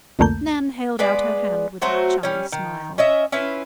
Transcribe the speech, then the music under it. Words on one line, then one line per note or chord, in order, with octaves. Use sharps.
Nan held out her hand with a chummy smile.
C2 F2 D3 A3 A#3 G6
G#3 B3 B4 D5
F#3 A3 F#4 C5
G3 C#4
D#3
C#4 D#5 E5
C#4 E4 F4 B4